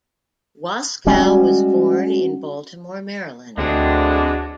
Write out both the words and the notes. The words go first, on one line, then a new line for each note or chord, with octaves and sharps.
Waskow was born in Baltimore, Maryland.
G3 G#3 C#4 F#4
F#4
D2 E3 F#3 G#3 A3 C4 D4 F#4